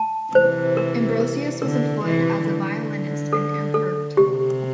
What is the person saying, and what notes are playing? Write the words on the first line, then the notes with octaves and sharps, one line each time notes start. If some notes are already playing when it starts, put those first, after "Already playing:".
Ambrosius was employed as a violinist in Erfurt.
Already playing: A5
C3 E3 C5
A#4
A#4
D3 A#4
C3 E3
D3
A4
A4
C3 G4